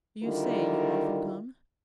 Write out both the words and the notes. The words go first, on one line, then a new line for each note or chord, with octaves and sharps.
'You say you often come?'
D3 D#3 G3 E4 F4 A#4